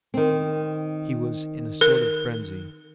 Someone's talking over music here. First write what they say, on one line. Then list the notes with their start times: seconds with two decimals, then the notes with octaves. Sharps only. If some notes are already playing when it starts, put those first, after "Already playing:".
He was in a sort of frenzy.
0.14 D#3 C4
1.81 A#4